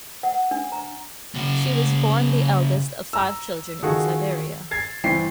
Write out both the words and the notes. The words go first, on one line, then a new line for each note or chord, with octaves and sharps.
She was born the eldest of five children in Siberia.
F#5
D4
A#5
C#3 F#4
A#5 E6
D#3 F4 F#4 G#4 A4
G#6 A6 C7
G1 E3 C4 G5 B6 C7